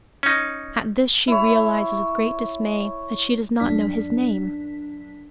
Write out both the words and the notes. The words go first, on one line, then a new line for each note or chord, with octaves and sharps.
At this she realizes with great dismay that she does not know his name.
C#4 D#4
E4 C#5
F#2 D4 B6